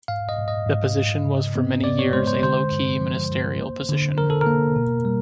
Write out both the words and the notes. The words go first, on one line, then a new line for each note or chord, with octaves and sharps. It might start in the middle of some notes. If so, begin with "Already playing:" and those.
The position was for many years a low key ministerial position.
G#2 F5
D#5
G#2
D#5
G#2
G#2
C#3
B3
B3 D5
C#5
G#3 C5
C5
D3 C5
G2
F3
G2
A#3
D3
D3 A#4
A4
A#4
A#3
B2
G3